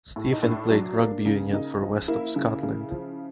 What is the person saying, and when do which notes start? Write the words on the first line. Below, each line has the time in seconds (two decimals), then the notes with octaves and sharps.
Stephen played rugby union for West of Scotland.
0.16 A2
0.32 D#4
0.43 A2 D4
0.70 F#3 D4
0.98 A#3
1.26 C#3
1.53 C#3 D#4
1.81 F3
2.08 A#3 E4
2.36 C#3
2.63 C#3
2.91 F3